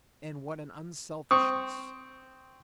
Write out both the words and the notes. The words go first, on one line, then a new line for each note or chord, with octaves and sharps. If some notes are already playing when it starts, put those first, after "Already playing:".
And what an unselfishness!
C4 C#6 D#6